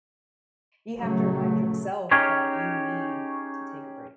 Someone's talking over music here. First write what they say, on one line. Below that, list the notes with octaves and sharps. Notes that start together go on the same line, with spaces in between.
you have to remind yourself that you need to take a break.
A#2 C#3 F#3 A3
C#4 D#4 G4 G#4 C#5